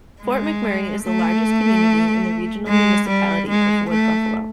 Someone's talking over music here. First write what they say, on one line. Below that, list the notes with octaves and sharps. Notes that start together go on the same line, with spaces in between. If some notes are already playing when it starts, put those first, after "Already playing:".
Fort McMurray is the largest community in the Regional Municipality of Wood Buffalo.
G#3
A3
G#3
G3
G#3
A3